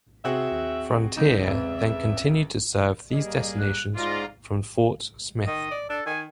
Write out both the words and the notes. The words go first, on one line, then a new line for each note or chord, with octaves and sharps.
Frontier then continued to serve these destinations from Fort Smith.
C3 C4 F#4 G#4 E5
D#2
C#2 D#4
E2 C4 E5
G3 A#3 G#4 D#5
F#6
G#2 F4 D5 A#5 C6
D#3 D#5
D5
D4 A4
D#3 G#5